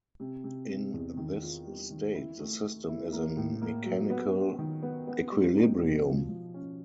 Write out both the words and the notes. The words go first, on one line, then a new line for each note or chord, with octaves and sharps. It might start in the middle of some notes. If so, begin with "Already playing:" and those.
In this state the system is in mechanical equilibrium.
C3
C3
C3
E2
D#3
F4
G3
D#3
E4
A3
A3
E4
A#3
A2
A#3
F#3
B3
B3
D#3
B3
B3
G3
D#4
B2
F3
F3
C#4